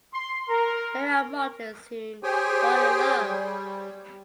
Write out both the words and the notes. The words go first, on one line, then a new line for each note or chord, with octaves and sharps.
Mary and Martin soon fall in love.
C6
A#4
G4 G#4 C5 C#5 G5 G#5
G3